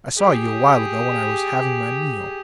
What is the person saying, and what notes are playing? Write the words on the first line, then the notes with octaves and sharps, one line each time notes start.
"I saw you a while ago, when I was having my meal."
G4 G#4